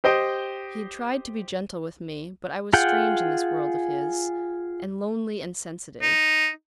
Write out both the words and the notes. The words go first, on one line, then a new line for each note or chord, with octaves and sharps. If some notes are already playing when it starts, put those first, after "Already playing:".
He had tried to be gentle with me; but I was strange in this world of his, and lonely and sensitive.
G4 C5 D#5 G5
F4 G#4 F#5 G5
D#4